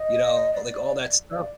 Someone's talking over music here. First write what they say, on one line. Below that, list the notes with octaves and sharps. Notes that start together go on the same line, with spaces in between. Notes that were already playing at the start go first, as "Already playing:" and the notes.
you know, like, all that stuff?
Already playing: D#5
D5
D5